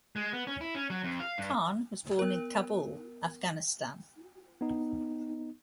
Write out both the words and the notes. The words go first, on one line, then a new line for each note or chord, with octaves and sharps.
Khan was born in Kabul, Afghanistan.
G#3
B3
C#4
E4
C#4
F#3
F2
F5
G2
B3 A#4
B3 D#4